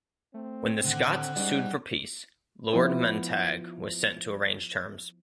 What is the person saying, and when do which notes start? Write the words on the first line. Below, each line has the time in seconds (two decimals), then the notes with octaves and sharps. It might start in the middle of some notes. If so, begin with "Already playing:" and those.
When the Scots sued for peace, Lord Montague was sent to arrange terms.
0.34 A3 C4
0.85 A2 D3 D#3 F#5
1.36 G#2 G3 C#4 D5
2.73 F3 B3 E4 C5